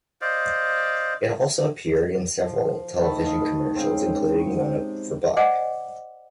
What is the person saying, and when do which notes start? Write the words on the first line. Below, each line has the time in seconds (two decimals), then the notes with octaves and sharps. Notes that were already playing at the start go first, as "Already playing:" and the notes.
It has also appeared in several television commercials-including one for Buick.
0.21 C5 D5 D#5 F5
2.41 F3
3.01 D#3 A3 A5 B5
3.24 D#5 F5 A5
3.74 G#2 C#3 C4 F5
4.39 C#6
4.60 C3
5.37 C5 D5 D#5 F#5 G#5 D6